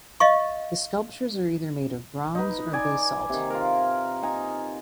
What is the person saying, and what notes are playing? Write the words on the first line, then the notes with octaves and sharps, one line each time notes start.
The sculptures are either made of bronze or basalt.
D#5 F5 C#6
D#4 B4
D5 G#5
C3 D#3
F4 A#4
D#4 G#5 A#5